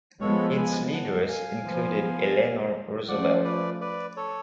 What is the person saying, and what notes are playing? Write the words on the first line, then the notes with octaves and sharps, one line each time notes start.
Its leaders included Eleanor Roosevelt.
F3 G#3 B3 A4 C#5
G#5 B5
F#5 A5
F5 G#5
F3 B3
F3 A3 C#4 D5 F#5
B4 D5
B4 D5
A4 C#5